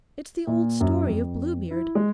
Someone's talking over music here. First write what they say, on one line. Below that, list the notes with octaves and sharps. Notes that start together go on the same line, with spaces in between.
It's the old story of Bluebeard.
A#2
F#2
F2
E4
G#3